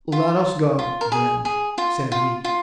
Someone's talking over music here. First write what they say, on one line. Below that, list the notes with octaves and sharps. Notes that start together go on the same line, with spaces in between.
"Let us go, then!" said he.
F4
F4
A#4
G#4
G#4
F4
F4
F4